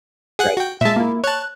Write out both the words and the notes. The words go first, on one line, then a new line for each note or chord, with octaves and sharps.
right, tea
G#4 F#5 F#6
F#4 G5
A#2 G#3 E5 A5
A#3 E4
C#5 A5 F#6